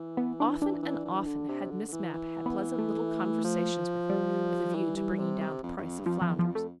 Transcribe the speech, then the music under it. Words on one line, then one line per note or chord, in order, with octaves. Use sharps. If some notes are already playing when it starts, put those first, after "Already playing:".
Often and often had Miss Mapp had pleasant little conversations with him, with a view to bringing down the price of flounders.
Already playing: E3
B3
D4
D4
E3
E3
D3
C3
D3
D3
E3
E3
B3
A3
F3
G3
E3
E3
C3
C3
F2
G2
F2
G2
F2 F3
F3
E2
F3
F2
A3